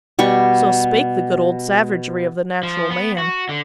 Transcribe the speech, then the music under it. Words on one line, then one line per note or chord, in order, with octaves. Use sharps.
So spake the good old savagery of the natural man.
B2 G3 C#6
F3
B3
F#4
D3